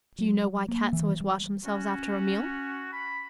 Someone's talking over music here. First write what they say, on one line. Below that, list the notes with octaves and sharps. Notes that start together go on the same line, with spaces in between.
Do you know why Cats always wash themselves after a meal?
F#3
A#3
E3
G3
C#4 F#4
B5